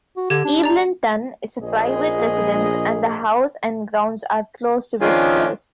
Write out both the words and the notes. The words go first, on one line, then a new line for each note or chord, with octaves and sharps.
Evelynton is a private residence and the house and grounds are closed to visitors.
F#4
D3 G4 G#6
D4
D5 A#5
A#1 G#4 D#5
D#3 F3 C#4 D4 F4 G#4